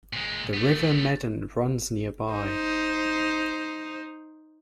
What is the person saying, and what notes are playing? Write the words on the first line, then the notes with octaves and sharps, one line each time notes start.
The River Meden runs nearby.
A#2 G#3
A3 B3
D#4 C5